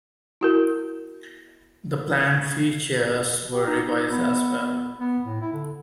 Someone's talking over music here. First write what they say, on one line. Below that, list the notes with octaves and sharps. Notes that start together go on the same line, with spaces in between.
The planned features were revised as well.
E4 F#4 A#4
G4
D#4
D#4
B3
B3
B3
A2
E4
D3